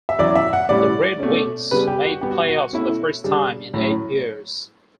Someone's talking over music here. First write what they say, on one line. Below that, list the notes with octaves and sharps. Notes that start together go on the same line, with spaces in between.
The Red Wings made the playoffs for the first time in eight years.
E5
E2 B2 F#3 C#4 E4 D5
E5
F#5
A2 G3 C#4 E4 D5
B2 A3 C#4
C#3 G3 B3 D4 B4
G4
F#4
B2 G3 B3 G4
F#4
F#4
B2 A3 C#4 E4
C#3 G3 D4
A2 F#3 C#4